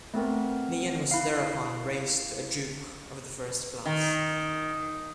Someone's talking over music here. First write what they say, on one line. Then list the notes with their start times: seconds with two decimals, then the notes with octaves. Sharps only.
Nian was thereupon raised to a Duke of the First Class.
0.14 A3 B3 C4 A#4
1.11 E4 F5
3.85 D#3